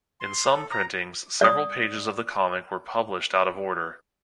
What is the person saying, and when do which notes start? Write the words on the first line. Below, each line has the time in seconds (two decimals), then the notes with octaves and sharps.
In some printings, several pages of the comic were published out of order.
0.20 C6
0.54 A4
0.71 A#5
1.41 D5 D#6